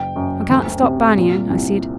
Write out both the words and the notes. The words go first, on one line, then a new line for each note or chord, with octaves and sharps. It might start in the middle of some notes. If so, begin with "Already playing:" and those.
'I can't stop barneying,' I said.
Already playing: F#1 G5
F#2
D2
C3
A#2
C2